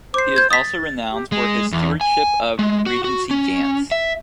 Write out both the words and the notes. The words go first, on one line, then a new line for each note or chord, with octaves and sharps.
He is also renowned for his stewardship of Regency dance.
C5 D6 C7
G6 G#6
D#6 A6 B6
G4
G#3
E2
G#5
G#3
F#4
F#4
C#4
E5